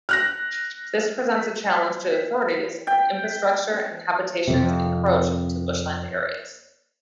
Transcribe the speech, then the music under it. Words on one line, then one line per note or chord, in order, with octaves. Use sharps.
This presents a challenge to authorities as infrastructure and habitations encroach into bushland areas.
F6 F#6 A#6
G5
F2 C3